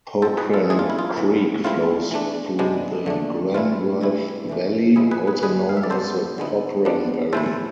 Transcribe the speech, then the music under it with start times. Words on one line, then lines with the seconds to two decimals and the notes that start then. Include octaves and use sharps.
Popran Creek flows through the Glenworth Valley, also known as the Popran Valley.
0.22 F3 G#3 C4 A4 C5
0.38 G#4 B4
0.54 F4 A4
0.70 E3 G#3 D4 G#4
0.79 F4
0.90 E4
0.99 F4
1.17 A2 E3 B3 E4
1.64 F3 A3 C4 E4 F4
2.11 E3 A3 D4
2.59 C3 G#3 B3 D4
3.06 D3 A3 D4
3.54 A2 E3 A3 E4 F4
4.01 C3 E3 A3 E4
4.49 C3 E3 A3 D4
4.96 C3 F3 G#3 E4 G#4
5.11 G#4 B4
5.27 G#4 B4
5.43 D3 G#3 D4 G#4 B4
5.69 F5
5.77 E5
5.83 D5
5.90 B2 B3 D4 A4 C5
6.38 D3 G#3 B3 E4
6.85 F3 B3 D4
7.33 A2 E3 A3 E4 A4 C5